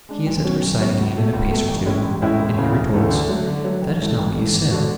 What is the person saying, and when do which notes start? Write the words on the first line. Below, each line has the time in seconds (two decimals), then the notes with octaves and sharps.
He is at her side again in a pace or two, and he retorts, 'That is not what you said.
0.09 G#3 D4
0.26 B1
0.43 B2 F#3 C#4 F#4
0.62 B1
0.79 B2 F#3 C#4 F#4
0.97 C#2
1.15 B2 A3
1.33 C#2
1.51 B2 A3
1.68 A1
1.86 A2 G#3 C#4 E4
2.04 A1
2.22 A2 G#3 C#4 E4
2.39 E1
2.57 D2 C#3 E3 A3
2.75 E1
2.93 D2 C#3 E3 A3
3.11 D3
3.29 F#3 A3
3.47 D3
3.64 F#3 A3
3.82 A1
4.00 G#2 E3 A3
4.18 A1
4.35 G#2 E3 A3
4.53 E2
4.71 D3 G#3 D4 F#4